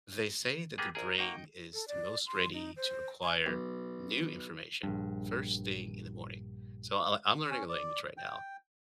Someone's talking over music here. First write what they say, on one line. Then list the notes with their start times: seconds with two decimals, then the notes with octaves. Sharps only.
they say that the brain is the most ready to acquire new information first thing in the morning. So, I'll I'm learning a language right now,
0.78 A#3 B3 G4 G#4
0.95 A#1 G#4 A#4
1.18 A#3 D#4 F#4 G5
1.73 A4
1.88 D5
2.26 C6
2.54 D#4
2.76 C5
3.23 G#5
3.46 B1
4.83 A#1 G2
7.51 C#4
7.69 D5
8.17 G5